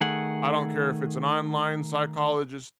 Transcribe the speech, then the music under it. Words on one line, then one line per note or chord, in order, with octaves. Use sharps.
I don't care if it's an online psychologist,
D#3 A3 G#4 F#5